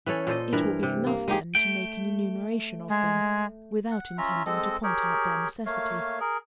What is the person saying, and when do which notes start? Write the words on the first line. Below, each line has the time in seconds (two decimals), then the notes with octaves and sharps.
It will be enough then to make an enumeration of them, without intending to point out their necessity.
0.06 E3 C#4 A4 C#5
0.27 A#2 A4 C5 D#5
0.53 G2 E3 A#4
0.83 C3
1.07 A#3
1.28 G#3 D#4 G4 G#4
1.55 A3 G5
2.88 G#3
3.91 F#5
4.18 C#4 F4 E5 A#5
4.46 G#3 C4 A4 D#5
4.83 G4 G#4 A#4 C#5
5.66 A3 A#3 C#5 F5
6.20 G#4 A#4